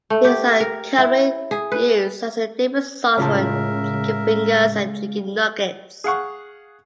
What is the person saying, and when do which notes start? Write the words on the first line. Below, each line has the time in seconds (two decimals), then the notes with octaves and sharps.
These are commonly used as a dipping sauce for Chicken fingers and chicken nuggets.
0.10 A3
0.25 G4
0.60 A#4
0.98 E4
1.51 G#4
1.72 B4
3.18 C#2 A2 C#3 F4 A#4 E5 A5
6.04 G#4 F5 F#5 C#6